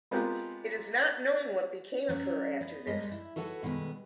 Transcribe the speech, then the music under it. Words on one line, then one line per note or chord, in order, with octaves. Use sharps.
It is not known what became of her after this.
G#3 B3 C4 F4 G4 A#4
F#3 C#4 D4
B3
G2 G#3 G4 A#4 D#5
E4
F#4 A4 B4 C#5 F#5
B2 D#3 G3 G#3 B3